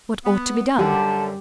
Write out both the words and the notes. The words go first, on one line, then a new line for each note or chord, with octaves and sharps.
What ought to be done?
B3
F#2 D3 G3 G4 A5